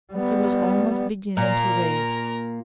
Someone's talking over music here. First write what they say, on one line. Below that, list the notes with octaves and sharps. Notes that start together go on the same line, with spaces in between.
He was almost beginning to rave....
G3 B3
A#2 A#4 A#5